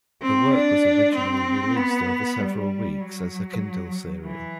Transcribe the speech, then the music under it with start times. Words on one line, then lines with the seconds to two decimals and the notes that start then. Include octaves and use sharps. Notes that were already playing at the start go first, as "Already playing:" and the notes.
The work was originally released over several weeks as a Kindle Serial.
0.22 C4
0.54 D4
1.15 C4
1.77 B3
2.40 G3
3.01 F#3
4.26 E3